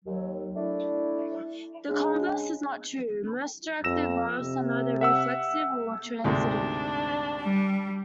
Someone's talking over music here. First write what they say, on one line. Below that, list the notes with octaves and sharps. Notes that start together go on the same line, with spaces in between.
The converse is not true: most directed graphs are neither reflexive nor transitive.
D#2 F#3
A3 D4 E4
C#3 G#3 D4
F2 E6 A#6 E7
C3
E5 F#5 E6
D2 G#2 C3 D4
G3